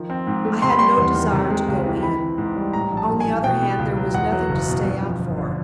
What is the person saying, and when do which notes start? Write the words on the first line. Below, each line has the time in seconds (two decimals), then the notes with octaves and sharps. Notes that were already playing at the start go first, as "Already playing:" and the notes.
I had no desire to go in; on the other hand, there was nothing to stay out for.
Already playing: D#3 F3
0.10 C4
0.27 G#2
0.45 A3
0.62 C3 C6
0.70 B5
0.79 G3 C6
0.97 E2
1.15 D#3
1.33 C3
1.50 G#3
1.68 C#2
1.86 E3
2.03 E3 B5
2.21 C4
2.38 G#2
2.56 G3
2.73 A2 A#5
2.91 A#1
2.97 A5
3.09 A#1
3.20 G#5
3.26 E3
3.44 B2 G5
3.62 B3
3.79 C#2
3.96 F#3
4.14 E2 F#5
4.32 F#3
4.50 F#1
4.67 B2
4.85 F#2
5.03 F3
5.20 G1
5.38 D3